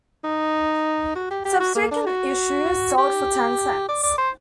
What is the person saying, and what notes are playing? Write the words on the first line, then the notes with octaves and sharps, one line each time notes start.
Subsequent issues sold for ten cents.
D#4
F#4
G4
G4
F#4
A#3
D4
F#4
G4
D5
D5
C5